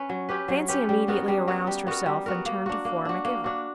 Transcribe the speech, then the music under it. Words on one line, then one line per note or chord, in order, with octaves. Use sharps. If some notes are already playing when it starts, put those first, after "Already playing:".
Fancy immediately aroused herself and turned to Flora Mac-Ivor.
Already playing: C#4 B4
F#3
C#4 G4 B4
F#3
C#4 G4 B4
G3
B3 F#4 A#4
G3
B3 F#4 A#4
G3
B3 F#4 A#4
G3
B3 F#4 A#4
A#3
D4 F#4
A#3
D4 F#4
A#3
D4 F#4